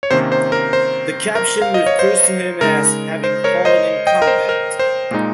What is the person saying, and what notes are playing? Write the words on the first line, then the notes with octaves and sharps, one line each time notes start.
The caption refers to him as having "fallen in combat".
C#5
C3 D#3 A#3 C#4 C5
C5
A#4
C5
A#4
F5
D#5
C#5
C5
C#3 G#3 D#4 A#4
C5
A#4 C#5
C5 D#5
D#5 G5
A#4
C5
A#4
C5
A#2 G#3 D#4